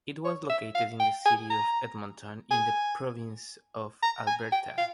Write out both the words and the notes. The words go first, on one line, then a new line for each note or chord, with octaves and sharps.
It was located in the city of Edmonton in the province of Alberta.
C#5
E5
F5
G5
G#5
A#5
G#5
A#5
G#5
G5
F5